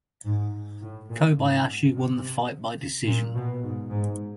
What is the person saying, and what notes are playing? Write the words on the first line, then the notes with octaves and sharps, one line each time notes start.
Kobayashi won the fight by decision.
G#2
A2
A#2
G#2
C3
A#2
B2
G#2
G#2